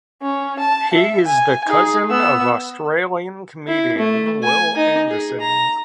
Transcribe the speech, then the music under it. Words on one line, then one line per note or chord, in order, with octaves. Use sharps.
He is the cousin of Australian comedian Wil Anderson.
C#4
A5
E5
G#5
D#4 G#4
B3 E6
E4
A3
G#5
D#4
G#4
A#5